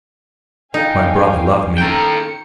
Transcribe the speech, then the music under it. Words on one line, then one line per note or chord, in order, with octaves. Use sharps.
My brother loved me.
E3 D#4 F4 A4 F5 G5 G#5
A#2 D#3 C#4 A4 G5 C#7